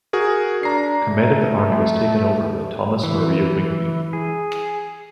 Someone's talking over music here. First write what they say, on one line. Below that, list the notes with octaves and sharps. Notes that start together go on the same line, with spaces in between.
Command of the army was taken over by Thomas Maria Wingfield.
F#4 G#4 A#4
D4 A#5 C7
A3
E3
G#4